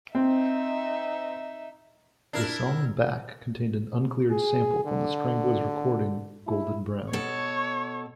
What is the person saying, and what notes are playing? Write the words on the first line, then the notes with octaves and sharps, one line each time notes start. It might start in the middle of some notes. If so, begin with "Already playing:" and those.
The song "Back" contained an uncleared sample from the Stranglers' recording "Golden Brown".
C4 D#4 E5
D4 E4 A#4
G#4
D3
E4
B2 A4 C#5